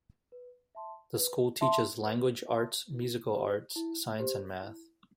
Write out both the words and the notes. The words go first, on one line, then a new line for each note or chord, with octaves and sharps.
The school teaches Language Arts, Musical Arts, Science and Math.
B4
E5 A5 C6
B4
E5 A5 C6
B4
E5 A5 C6
E4
G4 C5
E4
G4 C5
E4